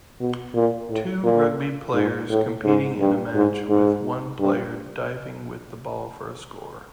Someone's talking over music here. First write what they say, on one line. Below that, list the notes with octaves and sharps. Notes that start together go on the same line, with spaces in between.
Two rugby players competing in a match with one player diving with the ball for a score.
B2
A#2
A2
A#2
G#2
A2
G#2
G2
G#2
G#2
G2